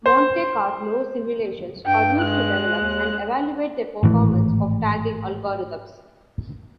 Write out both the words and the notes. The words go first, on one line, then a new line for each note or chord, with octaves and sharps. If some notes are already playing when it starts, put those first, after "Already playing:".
Monte Carlo simulations are used to develop and evaluate the performance of tagging algorithms.
C5
G2 G5
G#3 F#6
D#2
G#1 A2 E3